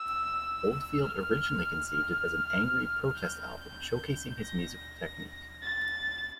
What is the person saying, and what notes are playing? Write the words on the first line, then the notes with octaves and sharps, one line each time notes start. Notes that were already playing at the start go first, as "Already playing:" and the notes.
Oldfield originally conceived it as an "angry, protest album", showcasing his musical technique.
Already playing: E6
E6
F6
F6
G6
A#6
A6